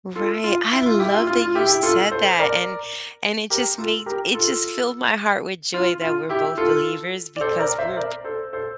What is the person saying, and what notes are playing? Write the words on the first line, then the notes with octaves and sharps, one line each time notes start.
Right, I love that you said that and, and it just made it just filled my heart with joy that we're both believers because we're
F4 A4
F4
E4
F4
E4 G4
F4
F4
F4
E4 G4
E4 G4
F4 A4
A4 C5
A#4 D5
G4 A#4
F4 A4
G4 A#4
F4 A4
F4
F4
E4 G4
F4 A4
D5
A4 C5
A#4 D5
C5 E5
A#4 D5
A4 C5
A4 C5